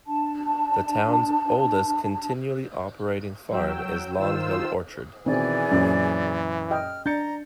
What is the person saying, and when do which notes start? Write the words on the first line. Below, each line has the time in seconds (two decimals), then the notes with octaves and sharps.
The town's oldest continually-operating farm is Long Hill Orchard.
0.07 D4 A5
3.52 F#3 G5 E6
4.18 D#3 F4 C5 E6
5.26 B2 D#3 E3 C4 G#4 D5 G#5
5.72 F#2 A#2 C#4 C5
6.71 D#5 G5 F6
7.06 D4 A#5 G6 A6 C#7